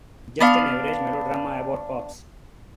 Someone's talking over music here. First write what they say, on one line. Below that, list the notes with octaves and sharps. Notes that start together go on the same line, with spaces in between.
Just an average melodrama about cops.
B3 D4 F5